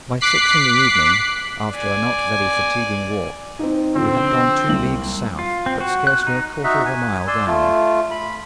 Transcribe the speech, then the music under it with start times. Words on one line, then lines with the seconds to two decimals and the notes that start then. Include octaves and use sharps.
By six in the evening, after a not very fatiguing walk, we had gone two leagues south, but scarcely a quarter of a mile down.
0.21 D6 F#6 B6 C7
1.72 D5 G#5
3.59 C4 D#4
3.95 D3 F3 C4
4.69 C2 F#7
5.39 F4
5.66 C4
5.80 F#4
6.07 F#6
6.27 D#4
6.64 D#4 F#4 E5
6.85 G#5
7.27 D5 G#5 C6 E6
7.47 A3 F4
8.11 B5